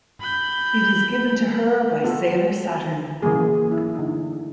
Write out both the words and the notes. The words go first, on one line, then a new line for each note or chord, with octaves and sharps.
It is given to her by Sailor Saturn.
B5 G6
B3 F4 F#4 A4
C#3 E3 F#3 A#3 G#4
E4
D3 D#4